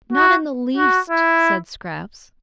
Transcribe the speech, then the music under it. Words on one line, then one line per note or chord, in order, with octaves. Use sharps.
"Not in the least," said Scraps.
F#4
F#4
E4